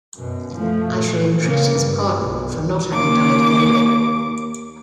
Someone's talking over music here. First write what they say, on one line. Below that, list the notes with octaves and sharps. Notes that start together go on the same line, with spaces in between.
I shall entreat his pardon for not having done it earlier.
F#2 B2
F3 A3
A#2
C#3 A#3
G2
B1
D#2 D6